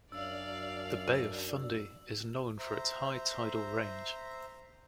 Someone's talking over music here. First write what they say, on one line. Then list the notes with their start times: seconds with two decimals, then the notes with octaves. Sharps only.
The Bay of Fundy is known for its high tidal range.
0.12 F#2 D4 D5 F5 E6
2.59 C5 E5 A#5